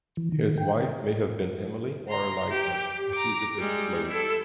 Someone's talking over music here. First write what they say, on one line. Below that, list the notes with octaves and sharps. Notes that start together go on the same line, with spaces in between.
His wife may have been Emily or Eliza, a fugitive slave.
E3
D#3
G5
A#5 C6
G4
A#5 D6
G3 G#3
E4 A4